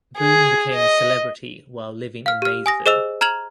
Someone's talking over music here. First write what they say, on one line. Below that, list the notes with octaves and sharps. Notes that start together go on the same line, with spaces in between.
Boone became a celebrity while living in Maysville.
G#4
D#5
F5 F6
G4 F6
G#5 D#6 A#6
G#4 C5 D#5 E6 F7
A#5 F6 G#6 F7 F#7